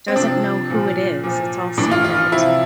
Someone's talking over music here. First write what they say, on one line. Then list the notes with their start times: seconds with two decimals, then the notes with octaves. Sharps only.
doesn't know who it is, it's all secret,
0.08 C4
0.16 C3 F3 D4
0.70 A#2 F3
1.24 A#2 F3
1.77 A2 E3 D4
1.91 F4
2.04 F4
2.32 C3 F3 E4